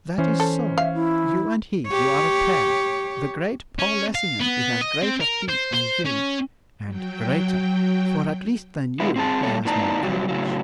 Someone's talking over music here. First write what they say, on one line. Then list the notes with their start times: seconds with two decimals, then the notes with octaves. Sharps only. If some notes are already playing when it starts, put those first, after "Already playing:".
'That is so,--you and he, you are a pair,--the great Paul Lessingham is as great a thief as you,--and greater!--for, at least, than you he has more courage.'
0.18 E3 C#4 C5
0.40 A4
0.78 E5 F5
0.94 E4
1.87 G4 C#5
3.79 C#4
4.15 F5
4.40 B3
4.81 D#5
5.03 C4
5.21 A#4
5.49 C5
5.73 C5
6.05 C#4
6.85 F#3 G5
9.00 D3 G#3 B3 E4
9.16 C4 G#4 A5
9.43 A2 G3 A#3 A4 C#5
9.65 A2 B3 D#4 D5 A5 A#5
10.03 C3 F#3 G3
10.29 A2 C#3 F#3